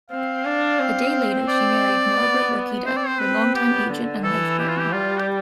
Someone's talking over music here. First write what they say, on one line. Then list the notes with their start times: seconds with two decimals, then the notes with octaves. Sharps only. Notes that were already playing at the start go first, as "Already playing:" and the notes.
A day later she married Norbert Rokita, her longtime agent and life partner.
0.10 C4 F5
0.45 D4
0.80 C4
1.48 D5
2.17 B3
2.86 C4 C5
2.96 D5
3.06 C5
3.20 C4 B4
3.55 B3 G4
3.89 D3
4.24 E3 A4
4.59 G4
4.69 F4
4.79 G4
4.93 G3 F4
5.19 G4